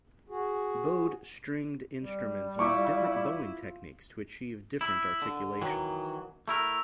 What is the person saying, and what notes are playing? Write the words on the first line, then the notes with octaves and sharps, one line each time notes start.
Bowed stringed instruments use different bowing techniques to achieve different articulations.
F#4 G#4
G3
E4 F4 C#6 D6
E4
D3
D#3 E3 F#3
A3 E4 A#4